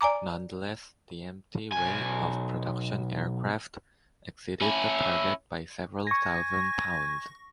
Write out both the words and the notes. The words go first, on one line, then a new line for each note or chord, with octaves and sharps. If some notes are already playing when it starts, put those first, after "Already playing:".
Nonetheless, the empty weight of production aircraft exceeded the target by several thousand pounds.
D5 G#5 A#5 D6
B1 G#5
C#4 E4
G#5 C#6 A#6